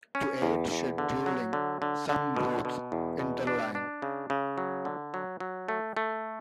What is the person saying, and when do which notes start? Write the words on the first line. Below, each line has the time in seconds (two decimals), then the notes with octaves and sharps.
To aid scheduling, some routes "interline".
0.15 C#4
0.42 E2
0.71 E2
0.98 D3
1.26 F#3
1.53 D3
1.82 D3
2.09 D3
2.36 B2
2.65 B2
2.92 E2
3.19 B2
3.47 D4
3.75 D4
4.02 C#3
4.30 C#3
4.58 F#3
4.85 D3
5.14 F#3
5.40 F#3
5.68 A3
5.97 A3